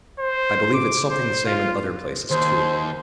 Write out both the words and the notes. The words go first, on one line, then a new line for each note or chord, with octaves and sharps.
I believe it's something the same in other places too.
C5
D6
C5
F4
D#2 C5